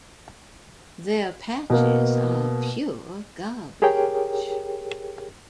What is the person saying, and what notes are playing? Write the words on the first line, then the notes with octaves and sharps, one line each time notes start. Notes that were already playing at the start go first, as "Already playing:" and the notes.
Their patches are pure garbage.
B2 A#3
G4 G#4 A#4 C#5 G5